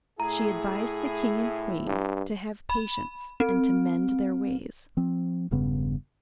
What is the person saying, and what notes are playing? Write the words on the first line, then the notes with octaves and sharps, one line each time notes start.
She advised the king and queen to have patience, and to mend their ways.
A2 E4 G#4 A#5
G2
B5
C4
F3 C4
E1 G2 C#3 B3